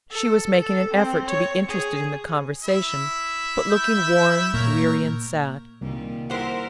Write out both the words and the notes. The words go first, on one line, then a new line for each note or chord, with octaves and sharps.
She was making an effort to be interested in the conversation, but looking worn, weary, and sad.
A4
A4
C4
C#5
G#4
E4 E5
G6
A#2 A#4 C#5
C2 A#2 D#3 G3
E4 G4 A#4 C5 F#5